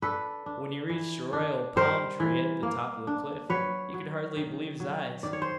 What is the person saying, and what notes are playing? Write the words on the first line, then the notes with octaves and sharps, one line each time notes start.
When he reached the royal palm tree at the top of the cliff he could hardly believe his eyes.
D4 A4 B4
D4
E3
D4
G3 A#4 C5
E3
A#3
D4
F#3 B4 C#5
F#3
D#3
F#3
D#3 D5
C#5
C5